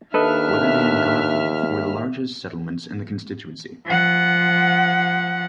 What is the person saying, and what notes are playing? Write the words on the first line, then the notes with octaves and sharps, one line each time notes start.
Wetherby and Garforth were the largest settlements in the constituency.
D#2 D4 A4 B4 D#5 E5 F6
F3 F#5